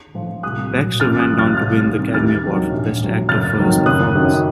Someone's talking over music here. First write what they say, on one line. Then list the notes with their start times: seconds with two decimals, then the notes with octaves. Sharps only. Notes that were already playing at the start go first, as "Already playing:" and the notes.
Baxter went on to win the Academy Award for Best Actor for his performance.
0.14 A2 F3
0.43 C2 D#6 F#6
0.71 A#2 F#3
1.00 A1 F6 A6
1.19 D#6 F#6
1.29 A2 F#3
1.39 F6 A6
1.57 C2 F6 A6
1.85 C3
1.91 D#3
2.14 D#2 F6 A6
2.44 D#3 F#3
2.72 A#1
3.00 A2 F#3
3.29 F#1 F6 A6
3.57 F2 D#3 F#3
3.86 F#1 D#6 F#6
4.15 F#2 D#3 F#3